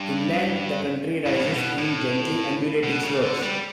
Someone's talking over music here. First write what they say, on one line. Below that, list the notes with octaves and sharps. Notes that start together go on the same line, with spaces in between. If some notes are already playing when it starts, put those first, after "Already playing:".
Inland the country rises in gently undulating slopes.
Already playing: G2
G2
A2
G2
B2
A2
B2
C#3
D3
G3